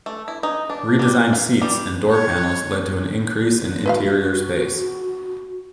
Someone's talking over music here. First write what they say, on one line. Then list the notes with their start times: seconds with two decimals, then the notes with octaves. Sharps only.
Redesigned seats and door panels led to an increase in interior space.
0.06 A3
0.28 E4
0.43 D#4
0.70 D4
0.99 G3
1.33 F5
1.62 G3
2.12 C#5
3.86 F#4 B4 E5 F5